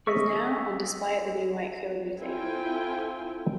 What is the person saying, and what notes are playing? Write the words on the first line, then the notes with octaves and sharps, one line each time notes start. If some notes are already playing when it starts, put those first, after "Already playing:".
It is now on display at the new Wakefield Museum.
D#5 E5 C#6
C4 E4 F4 A4 G5 G#5